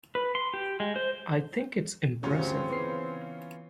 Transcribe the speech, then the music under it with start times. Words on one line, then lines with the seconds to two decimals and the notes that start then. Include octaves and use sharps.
I think it is impressive.
0.15 B4
0.35 C6
0.54 G4
0.80 G#3
0.96 C5
2.23 G1 D2 G2 C#3 C4 C#4 F4 C#5
2.69 E3 B3 C7